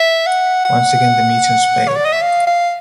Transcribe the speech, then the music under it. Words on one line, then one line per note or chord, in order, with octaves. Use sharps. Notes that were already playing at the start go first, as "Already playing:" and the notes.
Once again the missions failed.
Already playing: E5
F#5
F#5
C#5
D5
D#5
E5
F5
F5